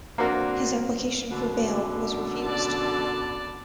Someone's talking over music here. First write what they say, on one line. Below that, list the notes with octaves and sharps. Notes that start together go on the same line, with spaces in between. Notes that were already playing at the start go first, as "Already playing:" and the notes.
His application for bail was refused.
A#3 C4 D4 F#4 A#4
F#2 B2 D3
D5 A5